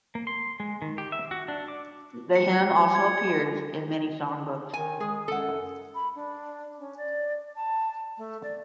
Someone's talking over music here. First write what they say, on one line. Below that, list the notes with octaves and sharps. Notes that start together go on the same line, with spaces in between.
The hymn also appears in many songbooks.
A#3
C6
G#3
D#3
G4
E5
F#4
D4
D6
C#7
G#6
D#3 G#5
G#3 G#4
F#2 A4 F#5
B5
D4
C#4
D5
A5
A3
D5